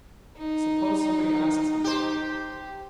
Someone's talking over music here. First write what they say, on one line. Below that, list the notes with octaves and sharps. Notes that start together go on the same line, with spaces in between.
"Suppose somebody asks me?"
D#4
G4 C5